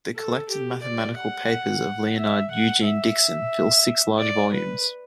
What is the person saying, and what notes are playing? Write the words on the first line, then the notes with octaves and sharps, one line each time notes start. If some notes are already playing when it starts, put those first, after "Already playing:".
The "Collected Mathematical Papers of Leonard Eugene Dickson" fill six large volumes.
A4
G4
D5
F#5
E5
F#5
E5
D5
B4